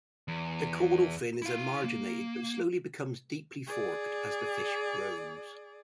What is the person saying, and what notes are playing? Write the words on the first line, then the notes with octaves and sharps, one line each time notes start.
The caudal fin is emarginate but slowly becomes deeply forked as the fish grows.
E2
E4 F5
A#3
G#4 D5